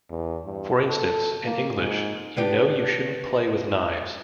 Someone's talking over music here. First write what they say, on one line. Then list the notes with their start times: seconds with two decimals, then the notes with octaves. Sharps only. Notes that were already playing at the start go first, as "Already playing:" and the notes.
For instance, in English, You know you shouldn't play with knives!
0.10 E2
0.45 G2
0.87 A4
1.43 A#3
1.73 G#2
2.37 B3 D4 G4